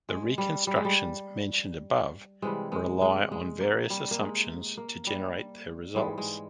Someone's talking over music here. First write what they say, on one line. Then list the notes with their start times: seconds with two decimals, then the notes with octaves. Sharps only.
The reconstructions mentioned above rely on various assumptions to generate their results.
0.09 G#3
0.38 G3
0.67 G3
0.76 G#3
0.85 G3
2.42 C3 E3 G3 G#3
2.72 G#3
3.02 G#3
3.32 G#3
3.60 A#3
3.90 G3
4.11 A#3
4.20 G#3
4.77 A#3
5.07 G3
5.95 G#2 E3 G3 G#3
6.18 G#3